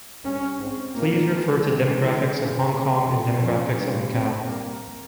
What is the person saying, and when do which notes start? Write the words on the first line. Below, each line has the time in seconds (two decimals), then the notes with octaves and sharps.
Please refer to Demographics of Hong Kong and Demographics of Macau.
0.24 G2 C#4
0.59 G#2 C4
0.94 A#2 A#3
1.29 C3 G#3
1.65 C3 G#3
2.00 E3
2.35 C#3
2.69 C#3 A#3
3.05 F2
3.40 F2 C#4
3.75 G2
4.10 C4
4.45 G2 A#3